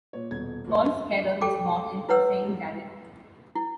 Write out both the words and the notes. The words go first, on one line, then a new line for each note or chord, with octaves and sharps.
Paul Scherrer was born in St.Gallen.
A#2 C#5
D#1 B2 G#6
G1 A3 C#6
A4 G5 D6
E4 B4 C#5 F#5 E6
E4